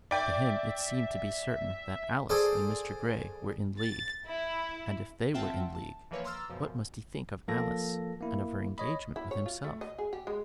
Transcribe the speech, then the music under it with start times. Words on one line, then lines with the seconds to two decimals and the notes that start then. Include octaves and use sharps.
To him it seemed to be certain that Alice and Mr. Grey were in league;--and if they were in league, what must he think of Alice, and of her engagement with himself!
0.11 D5 E5 G5
2.29 G#4 A4 C5 D5
3.79 A6
4.25 E4
5.34 C4 F4 E5 F#5 G5 A5
5.75 A5
6.11 E3 F3 A#3 B4 C#5
6.24 A#5 C6 D6 E6 F6 A6
6.49 F#2 B2 F3
7.48 F3 A#3 F4 A4 A#6
8.21 A#3 E4
8.78 C#5 D#5 B5
9.16 E4
9.31 C#5
9.46 F4
9.64 A3
9.81 D#5
9.99 G#4
10.13 G4
10.27 G#3